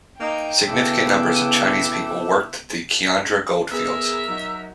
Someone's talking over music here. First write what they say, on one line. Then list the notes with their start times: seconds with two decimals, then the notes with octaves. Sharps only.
Significant numbers of Chinese people worked the Kiandra goldfields.
0.20 A#3 D#4 G5
0.67 C#3 A3 B3 D4 E4
3.72 B3 G#4 A#4 E5
4.28 F#3 D#4 F#5